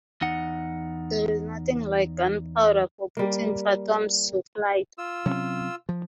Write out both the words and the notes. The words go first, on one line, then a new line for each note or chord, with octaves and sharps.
There is nothing like gunpowder for putting phantoms to flight.
E2 D#4 F#5
G3 A#3
F4 E6
C3 F#3 C#4
F3